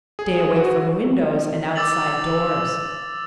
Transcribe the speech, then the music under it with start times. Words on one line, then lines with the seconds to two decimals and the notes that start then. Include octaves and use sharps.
Stay away from windows and outside doors.
0.19 G#4
0.56 F#4
1.75 D6 E6 A6 F7 F#7